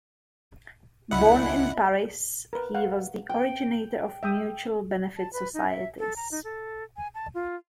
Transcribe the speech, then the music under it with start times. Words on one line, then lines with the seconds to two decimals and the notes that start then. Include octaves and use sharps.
Born in Paris, he was the originator of mutual benefit societies.
1.11 C#2 C#4 D4 E4 D#5 E5 F#5 B5
2.53 A#4 B4
2.75 F5 F#5
3.29 G5
4.23 E5 G5 D#6
5.17 A5
5.33 B4
5.54 D#4
5.68 E5
5.99 A4
6.16 A#5
6.32 D#4
6.44 A4
6.97 G#5
7.15 A5
7.34 F4